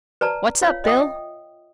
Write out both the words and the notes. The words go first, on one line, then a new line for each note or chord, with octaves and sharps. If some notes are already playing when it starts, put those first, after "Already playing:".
"What's up, Bill?"
B4 D5 A5 A#5
F4 C#5 F5
D#5 E5 G5 D#6